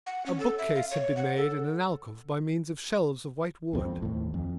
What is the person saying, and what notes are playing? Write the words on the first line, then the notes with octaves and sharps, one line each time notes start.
A bookcase had been made in an alcove by means of shelves of white wood.
F#5
C#4
A4
E5
F5
C#5
F#5
A4
E1 F2 G#3 C4
D#2 A2
F2